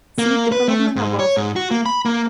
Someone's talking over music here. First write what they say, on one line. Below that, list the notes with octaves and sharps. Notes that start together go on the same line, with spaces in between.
See Development above.
A#3
B4
A3
G#2
C#5
G#2
F#4
A#3
B5
A#3